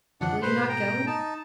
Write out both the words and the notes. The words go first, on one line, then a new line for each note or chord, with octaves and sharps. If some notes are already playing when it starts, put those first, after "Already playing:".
'Will you not go?
F#2 D3 F3 D4 F#5
G#2 B2 A3 B4 C5 C6
G5 A#5
D#4 A5